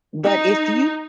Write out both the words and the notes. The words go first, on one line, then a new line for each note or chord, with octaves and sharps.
but if you
D#4